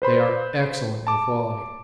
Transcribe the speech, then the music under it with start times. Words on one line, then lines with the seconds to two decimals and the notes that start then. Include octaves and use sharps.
They are excellent in quality.
0.02 B4 C5 B5 C6
1.07 A5 D6